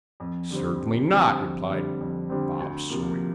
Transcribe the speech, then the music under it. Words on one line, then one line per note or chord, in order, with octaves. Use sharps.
'Certainly not,' replied Bob Sawyer.
F2
D3 G3 C4
F2
D3 G3 C4
F2
D3 G3 C4
F2
D3 G3 C4
D2
C3 F3 A#3